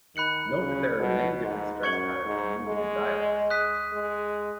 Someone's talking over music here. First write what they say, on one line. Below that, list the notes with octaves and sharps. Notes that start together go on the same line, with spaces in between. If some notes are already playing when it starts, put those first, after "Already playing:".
Note that there are many different stress patterns even within dialects.
D#3 B5 F#6 C#7 F#7
C#3
B2
G#2
F#2 C#6 G#6 C#7 F#7
G#2
G#3
D#6 F#6 B6 D#7
G#3